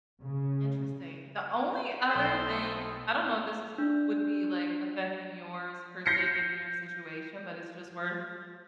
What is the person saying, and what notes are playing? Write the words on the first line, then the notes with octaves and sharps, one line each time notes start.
Interesting. The only other thing I don't know if this is would be, like, affecting yours, per se, given your situation, but it's just worth
C#3
B1 A4 C5 D#5 B6
D4
G6 A#6 C7 C#7